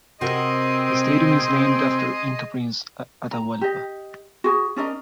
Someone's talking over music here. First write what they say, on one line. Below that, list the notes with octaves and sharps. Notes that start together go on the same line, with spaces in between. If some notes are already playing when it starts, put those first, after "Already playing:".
The stadium is named after Inca prince Atahualpa.
C3 C4 F#4 G#4 A#4 D#5 C6
A#5
G4 D#5
F#4 G#4
C#4 D4 A#4 D#5